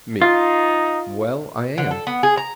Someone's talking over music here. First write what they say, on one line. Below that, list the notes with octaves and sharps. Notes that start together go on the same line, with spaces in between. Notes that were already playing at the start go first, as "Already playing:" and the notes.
ME: Well, I am.
D#4 F4
D3
A4
B3
G#4
A#5